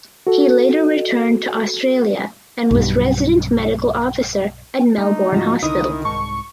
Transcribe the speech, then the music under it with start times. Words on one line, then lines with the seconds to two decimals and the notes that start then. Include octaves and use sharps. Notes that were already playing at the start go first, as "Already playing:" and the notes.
He later returned to Australia and was Resident Medical Officer at Melbourne Hospital.
0.27 F#4 A4
2.71 B1 G2
4.98 A3 D4 D#4
5.32 G#2 C#3 F3 F4 F#4
5.63 C2 D3 D#3 D#4 E4 D#6
6.05 C2 G#2 A5 C#6